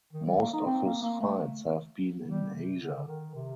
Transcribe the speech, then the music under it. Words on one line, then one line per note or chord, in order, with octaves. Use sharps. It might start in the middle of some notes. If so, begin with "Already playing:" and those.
Most of his fights have been in Asia.
D#3
G3
A#3
D#4
C4
A#3
A#3
A3
G3
C3
D3
D#3
C3